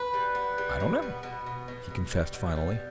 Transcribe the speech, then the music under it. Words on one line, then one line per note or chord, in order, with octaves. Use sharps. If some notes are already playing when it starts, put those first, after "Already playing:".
"I don't know," he confessed finally.
Already playing: B4
G3
B3
G3
B2
B3
B2
B2
B2
B2
G3
B2
G3